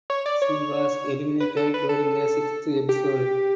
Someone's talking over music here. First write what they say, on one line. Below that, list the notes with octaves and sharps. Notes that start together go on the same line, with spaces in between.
She was eliminated during the sixth episode.
C#5
D5
C#5
B4
A4
B4
A4
G4